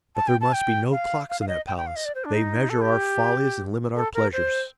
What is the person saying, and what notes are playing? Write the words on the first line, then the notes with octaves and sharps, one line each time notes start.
But there must be no clocks in that palace--they measure our follies and limit our pleasures.
A5
G5
A5
G5
F5
F5
F5
D#5
G5
G5
F5
D#5
D5
C5
D4
D#4
A4
G4
A4
A#4
C5